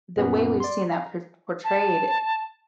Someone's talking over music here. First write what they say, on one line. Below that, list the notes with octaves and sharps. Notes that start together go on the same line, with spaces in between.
the way we've seen that por portrayed,
F#2 A#2 B3 C#4 A#4
D5 C6
F5 A#5
A5